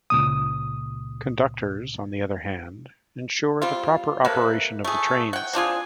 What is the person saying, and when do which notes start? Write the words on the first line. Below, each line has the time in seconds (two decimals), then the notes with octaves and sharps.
Conductors, on the other hand, ensure the proper operation of the trains.
0.10 C#2 A#2 D#6
3.62 G3 C4 F4
4.24 C3 A#3 A4 B4
4.84 A3 G#4
5.33 F#5 G5
5.53 C4 D4 F4 G#4